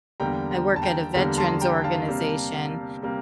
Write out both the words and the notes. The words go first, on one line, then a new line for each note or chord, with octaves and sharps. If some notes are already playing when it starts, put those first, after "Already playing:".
work at a veterans organization,
E2 D3 G3 A#3 G5 A#5
G5 A#5
A5
G5 A#5
E2 D3 G3 A#3 G5 A#5
A5 C6
G5 A#5
F5 A5
C3 G3 A#3
C3 G3 A#3